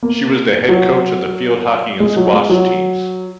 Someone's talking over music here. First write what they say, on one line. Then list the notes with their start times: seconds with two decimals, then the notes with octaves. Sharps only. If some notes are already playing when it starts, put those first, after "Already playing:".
She was the head coach of the field hockey and squash teams.
0.03 A#3
0.69 F#3
2.00 G#3
2.17 F#3
2.33 G#3
2.49 F#3